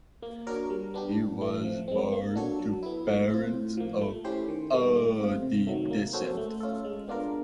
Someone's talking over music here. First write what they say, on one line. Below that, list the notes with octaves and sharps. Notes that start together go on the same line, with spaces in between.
He was born to parents of Adi descent.
A#3
D4 F#4 A#4 C#5
G3
B3 D4 G4
A2
E3 A3
F3
G#3 C4
A#3
D4 F#4 A4 C#5
F#3
B3 E4
A3
C4 F4
A2
F3 A#3
A3
C#4 E4 G4 C5
D#3
G3 A#3 D#4
A3
C4 F4
C3
D#3 F#3 A3
A#3
C#4 F#4 A4 C5
A3
C#4 F4 A4
G#3
B3 D4 F4 A#4